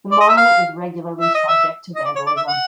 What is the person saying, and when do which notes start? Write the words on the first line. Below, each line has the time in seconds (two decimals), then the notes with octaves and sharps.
The monument is regularly subject to vandalism.
0.12 D5
0.20 D#5
0.29 E5
0.37 F5
1.21 E5
1.34 D#5
1.48 E5
1.95 D#5
2.05 D5
2.16 C#5
2.27 D5
2.37 E5
2.47 F#5